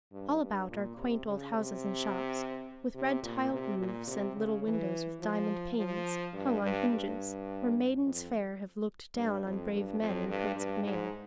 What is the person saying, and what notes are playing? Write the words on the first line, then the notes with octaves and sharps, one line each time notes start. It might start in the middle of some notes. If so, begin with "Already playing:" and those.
All about are quaint old houses and shops, with red-tiled roofs, and little windows, with diamond panes, hung on hinges, where maidens fair have looked down on brave men in coats of mail.
G2
G2
A#2
C3
C#3
C3
C3
A#2
C3
A#2
C3
C#3
E3
F3
F3
G2
G2
G2
F2
G2
F2
G2
F2
G2
G2
G#2